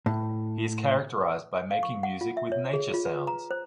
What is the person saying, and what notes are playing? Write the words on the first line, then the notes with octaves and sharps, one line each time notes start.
He is characterized by making music with nature sounds.
A2
F5
C#6
F#5
F4
E5
C#5
G#4
F4
B4
A#5
C5